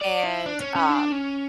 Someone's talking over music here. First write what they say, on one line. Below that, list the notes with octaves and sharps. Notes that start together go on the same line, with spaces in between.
and, um,
D5
E4
D4
C#4
C#4
D4
C#4